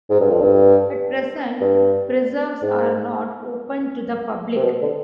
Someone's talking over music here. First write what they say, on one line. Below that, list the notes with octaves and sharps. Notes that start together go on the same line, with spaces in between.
At present, preserves are not open to the public.
G#2
G2
F2
G2
G2
G#2
C3
B2
D3